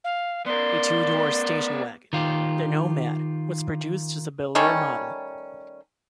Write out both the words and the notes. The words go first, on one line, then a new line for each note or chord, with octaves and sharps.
A two-door station wagon, the Nomad was produced as a Bel Air model.
F5
B3 A#4 D5 C6
D#3 F4 G4
D#3 G3 A3 C#4